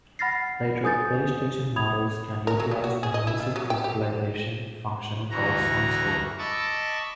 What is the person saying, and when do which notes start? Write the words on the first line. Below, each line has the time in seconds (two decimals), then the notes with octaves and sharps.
Later PlayStation models can utilize a music visualization function called SoundScope.
0.19 F#5 B5 F6 A6 A#6 C7
0.84 G#5 D#6 G6 A6
1.76 B5 D#6 G#6 F7
2.47 A#4
2.60 F#3
2.71 G3
2.84 F#4
3.03 G#4
3.14 D#5
3.27 E4
3.40 F4
3.56 F#3
3.70 G5
3.84 G4
5.31 D2 E3 F#4 A#5
6.39 D#5 A5 B5 C#6 D6 E6